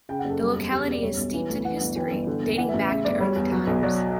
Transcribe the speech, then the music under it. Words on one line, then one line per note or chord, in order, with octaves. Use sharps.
The locality is steeped in history, dating back to early times.
C#3 G5
F#5
F#1 A4
G3
E2
C#3 G4
E1
D5
G3 C#5
B1
E3
D2
E3 F#5
G1 F#5
E3 G5
G1
D3
E1
E3 F#5
E5
A1
C#3 E5
G1 D5
G3 C#5
E2
F#3
B1
F#3 D5